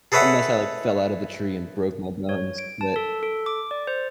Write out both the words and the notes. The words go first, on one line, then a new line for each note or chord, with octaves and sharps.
Unless I, like, fell out of the tree, and broke my bones, but
G#4 A4 B4 C#5 E5 F#5
C#5
D7
A5
A4
A4
D6
D5
C5